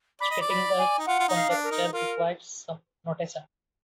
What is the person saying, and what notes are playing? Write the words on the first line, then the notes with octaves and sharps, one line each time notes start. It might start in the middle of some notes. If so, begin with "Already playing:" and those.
Stating the conjecture requires some notation.
D5 B5
D#5
D5
B5
G#5
D#4
F4 F#5
F4
D#4
F5
D4
A#4
D#4
F4 A#4